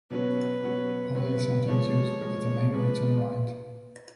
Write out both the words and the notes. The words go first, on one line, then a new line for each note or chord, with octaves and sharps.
Polly is sometimes used as a name in its own right.
B2 F#3 C#4 F#4 B4
B2 F#3 C#4 F#4
B2 F#3 C#4 F#4 B4
A#2 F3 G#3 C#5
A#2 F3 G#3
A#2 F3 G#3 B4